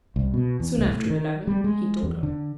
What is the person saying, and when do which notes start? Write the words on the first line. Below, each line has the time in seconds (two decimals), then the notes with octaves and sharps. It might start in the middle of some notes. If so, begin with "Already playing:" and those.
"Soon after eleven," he told her.
0.16 C2
0.34 B2
0.60 E2
0.78 C2
0.90 A2
1.10 D#3
1.47 G3
1.64 G#3
2.03 E2
2.23 D3